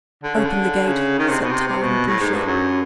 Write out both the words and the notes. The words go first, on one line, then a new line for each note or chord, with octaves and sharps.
"Open the gate," said Tarling briefly.
D3
C#3
D3
C#3
D#3
C3
B2
C3
C3
B2
A2
G#2
G2
F#2